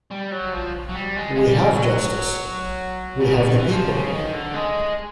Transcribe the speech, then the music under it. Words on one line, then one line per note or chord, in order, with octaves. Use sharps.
We have justice — we have the people.
G3
F#3
F3
F#3
G3
G#3
G#3
G3
F#3
C#3
D3
D#3
E3
F3
C#3
D#3
D3
G#3